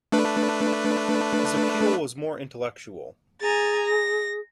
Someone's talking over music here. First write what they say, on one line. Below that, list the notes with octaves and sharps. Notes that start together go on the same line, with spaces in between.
His appeal was more intellectual.
A3 D4 B4
G#4 G#5 A#5 A6
A#6